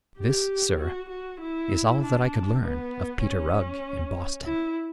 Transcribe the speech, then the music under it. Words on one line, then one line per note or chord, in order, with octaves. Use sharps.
This, sir, is all that I could learn of Peter Rugg in Boston....
G4
F#4
F#4
E4
D4
B3
C#4
E4